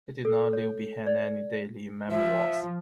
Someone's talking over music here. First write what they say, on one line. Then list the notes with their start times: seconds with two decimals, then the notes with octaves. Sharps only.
He did not leave behind any daily memoirs.
0.25 A4
0.53 C#5
1.06 D5
2.11 F3 E5